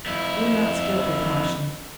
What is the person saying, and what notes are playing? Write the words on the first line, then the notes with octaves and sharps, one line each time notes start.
"We are not skilled with Martian."
F2 E4